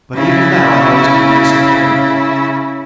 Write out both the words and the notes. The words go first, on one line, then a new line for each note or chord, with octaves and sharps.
But even now I was to be disappointed.
C#3 E4